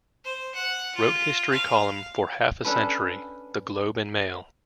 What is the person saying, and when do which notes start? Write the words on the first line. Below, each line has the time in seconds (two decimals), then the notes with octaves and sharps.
"Wrote history column for half a century" The Globe and Mail.
0.24 C5
0.54 F#5
0.95 F4
1.52 F5
2.64 C#4 D4 A4 B4